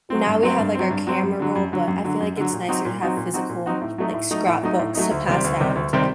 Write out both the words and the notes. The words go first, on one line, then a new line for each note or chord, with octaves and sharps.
now we have, like, our camera roll, but I feel like it's nicer to have physical, like, scrapbooks to pass down to, like,
F#3 C4
G2
F#3 C4
G2
F#3 C4
G2
F#3 C4
F#2
D3 F#3
F#2
D3 F#3
F#2
D3 F#3
F#2
D3 F#3
A#2
F#3 C4 D#4 F#4
A#2
F#3 C4 D#4 F#4
A#2
F#3 C4 D#4 F#4
A#2
F#3 C4 D#4 F#4
A2
F#3 A3 D#4
A2
F#3 A3 D#4
A2
F#3 A3 D#4
A2
F#3 A3 D#4
D2
C3 D#3 G3 C4
D2
C3 D#3 G3 C4
D2
C3 D#3 G3 C4